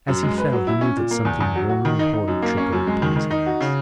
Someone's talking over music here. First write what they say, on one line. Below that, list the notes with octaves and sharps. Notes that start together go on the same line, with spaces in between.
As he fell he knew that something warm and horrid trickled upon his hands.
F#2
G#3
B4
F#3
E4
C#4
A#2
A#3
E2
E2
F#3
F#4
D#3
D#4
D#4
F#2
A#3
C#4
F#2
G#3
D#3
D#3
D#4
F#4
C#3